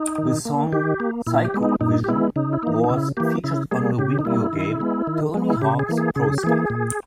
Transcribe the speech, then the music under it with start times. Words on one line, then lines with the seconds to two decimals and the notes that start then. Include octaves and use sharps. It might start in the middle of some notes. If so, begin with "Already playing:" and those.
The song "Cyco Vision" was featured on the video game "Tony Hawk's Pro Skater".
Already playing: D#4
0.18 D#3
0.45 A#3
0.72 D#3 G4
1.00 A#3
1.27 A#2 E4
1.45 G4
1.54 G#3 B3
1.63 D#4
1.81 A#2 D#4
2.04 G4
2.08 G#3 B3 E4
2.36 C#3 D#4
2.53 E4
2.63 E3 A#3 D#4
2.84 D#4
2.89 C#3 E4
3.17 E3 A#3 G4
3.44 C#3 E4
3.71 G3 A#3 G#4
3.98 C#3 G4
4.19 D#4
4.25 G3 A#3 E4
4.53 D#3
4.80 G#3 B3
5.07 D#3
5.34 G#3 B3
5.50 E4
5.62 C#3 G4
5.79 G#4
5.89 E3 A#3
5.98 G#4
6.16 C#3 G#4
6.38 G4
6.43 E3 A#3 G#4
6.70 A#2